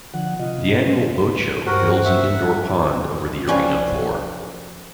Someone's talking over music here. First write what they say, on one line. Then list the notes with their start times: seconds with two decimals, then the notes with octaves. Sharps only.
The annual Boat Show builds an indoor pond over the arena floor.
0.14 D3 F3 F#5
0.39 C3 F4 D#5
0.81 B4
1.67 G2 F#4 G4 A#4 C5 F#5
2.05 E5 F#5
3.47 F3 C#4 G4 B4 D5 F5